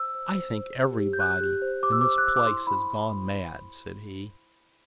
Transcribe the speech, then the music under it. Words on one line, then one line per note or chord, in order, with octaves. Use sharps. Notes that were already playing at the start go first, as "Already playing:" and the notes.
"I think everybody in this place has gone mad," said he.
Already playing: C5 E6
C5
C5
C5
G4
G4
G6
G4 F#6
G4
C5
G4 D6
E6
C5 D6
F#6
C5 E6
D6
E4 C6
E4 B5